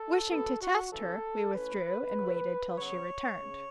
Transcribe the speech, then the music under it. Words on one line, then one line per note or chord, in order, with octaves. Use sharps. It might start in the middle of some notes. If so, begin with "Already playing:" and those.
Wishing to test her, we withdrew and waited till she returned.
Already playing: A4
B2 B3 A4
F#4
F#2 C#3 E3 C#4 A4
A2 A3 C#4 B4
C#3 F#3 A3 C#4
C#3 F#3 B3 C#5
C#3